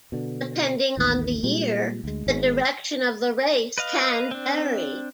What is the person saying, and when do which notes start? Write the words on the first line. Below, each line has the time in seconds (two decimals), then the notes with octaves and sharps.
Depending on the year, the direction of the race can vary.
0.12 B2 D3
0.97 A1 D#2
1.43 A#2 G3 G#3 C4
2.04 D2 G#3
2.27 G#1 G#2 G#3 B3
3.78 B4 D#5 F5
4.31 C4 D4